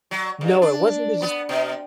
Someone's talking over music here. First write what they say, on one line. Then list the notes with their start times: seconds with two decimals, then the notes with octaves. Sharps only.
No, it wasn't the just
0.11 F#3
0.41 G2
0.62 D4
1.22 B3
1.49 B2